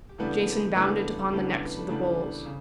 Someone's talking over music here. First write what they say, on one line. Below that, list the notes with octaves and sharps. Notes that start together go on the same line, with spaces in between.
Jason bound it upon the necks of the bulls.
G4
C#3 E3 G3 B3 D4 A4
B4
C#3 E3 G3 B3 D4 A4
C#3 E3 G3 B3 D4
B4
A4
C#3 E3 G3 B3 D4 G4
C#3